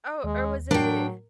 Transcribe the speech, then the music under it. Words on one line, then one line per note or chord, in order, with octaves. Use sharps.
oh, or was it
D#2 G#3
A2 F#3 D4 A#4 G5